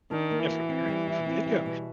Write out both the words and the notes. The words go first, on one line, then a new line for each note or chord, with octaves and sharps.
Yeah, from the gr from the get-go
D#3 D4
A#3
E3
F#4
C4
G3
E4
C4
G3
B2